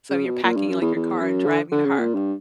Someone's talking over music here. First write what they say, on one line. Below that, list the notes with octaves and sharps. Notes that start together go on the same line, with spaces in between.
So you're packing, like, your car and driving to her.
C#3
B2
A#2
G2
F#2
E2
E2
F#2
D3
D3
C#3
A#2
G2